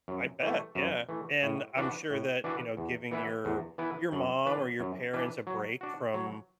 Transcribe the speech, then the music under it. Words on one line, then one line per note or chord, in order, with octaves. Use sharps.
I bet. Yeah. And I'm sure that, you know, giving your your mom or your parents a break from
F#2
E3 A3
F#2
E3 A3
A2
E3 D4 F#4 B4
A2
E3 D4 F#4 B4
E2
E3 B3 E4 B4
E2
E3 B3 E4 B4
F#2
E3 D4 B4
F#2
E3 D4 B4
F#3
D4 F#4
F#3